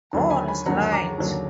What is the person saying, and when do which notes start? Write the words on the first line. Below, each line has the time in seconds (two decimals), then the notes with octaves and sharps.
God is Light.
0.13 D#2 D3 F#3
0.30 G#5 B5
0.48 G#5 B5
0.66 D#2 D3 F#3 F#5 A#5
0.92 A#5 D6
1.18 D#2 D3 F#3